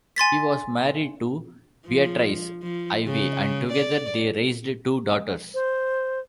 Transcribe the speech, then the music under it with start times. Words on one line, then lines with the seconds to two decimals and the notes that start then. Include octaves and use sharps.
He was married to Beatrice Ivey and together they raised two daughters.
0.16 G#5 C6 A6 B6
1.87 F3
2.62 F3
3.06 C#3
3.72 D5
5.54 C5